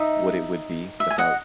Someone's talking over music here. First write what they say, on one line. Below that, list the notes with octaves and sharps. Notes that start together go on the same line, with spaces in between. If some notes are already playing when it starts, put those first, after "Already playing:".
what it would be, without,
Already playing: D#4 D#5 E5
E5
G#5
D#5 F#5